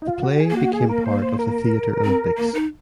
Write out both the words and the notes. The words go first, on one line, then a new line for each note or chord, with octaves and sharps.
The play became part of the Theatre Olympics.
D#4
F4
F#4
G#4
A#3
F#4
G#4
A#4
C5
C5
A#4
C4
A#3
D#4